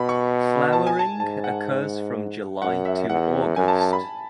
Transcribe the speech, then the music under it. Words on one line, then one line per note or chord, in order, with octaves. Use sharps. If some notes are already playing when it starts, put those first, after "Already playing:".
Flowering occurs from July to August.
Already playing: B2 B5
C#6
A5
G#5
A5
G#2 A5
F#5
F#2 F#5
E5
E2 F#5
F#2 G#5
A5
A5
B5